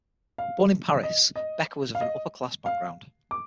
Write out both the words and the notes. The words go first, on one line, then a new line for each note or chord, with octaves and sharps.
Born in Paris, Becker was of an upper-class background.
F5
D#5
D#5
F5
D#5
F5
D6